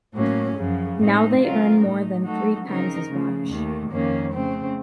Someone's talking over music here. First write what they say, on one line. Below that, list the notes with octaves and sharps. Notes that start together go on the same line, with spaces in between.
Now they earn more than three times as much.
A2 F#3 A#3 C#4
F#2 C#3 F3
A2 A3 C4 D#4
C#3 F#3 C4 F4 A#4
A2 A3 D#4
F#3 A3 D#4 F#4 A4
C#3 F3 C4 D#4 A#4
C#3 F3 A3
D#2 D#3 A3
F2 D#3 A#3 C#4
C#3 A3 C4